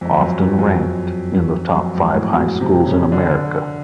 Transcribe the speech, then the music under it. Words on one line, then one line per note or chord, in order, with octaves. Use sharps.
Often ranked in the top five high schools in America.
F2
F#2
F2
F#2
F2
F#2
G#2
A2
B2
C3
C#3
D3